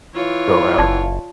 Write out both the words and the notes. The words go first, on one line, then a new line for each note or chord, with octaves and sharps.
go out.
E3 F4 C#5
F#1 D5 A5